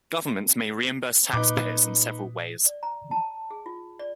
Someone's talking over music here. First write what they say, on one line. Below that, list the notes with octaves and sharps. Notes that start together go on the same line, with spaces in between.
Governments may reimburse taxpayers in several ways.
A#2 D#4 B4 D6
D5
A#5
A5
G#4
F4
D5